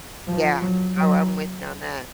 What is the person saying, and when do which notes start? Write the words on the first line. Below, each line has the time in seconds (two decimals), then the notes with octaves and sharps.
Yeah, oh, I'm with you on that.
0.27 F3
0.62 F#3
0.97 F#3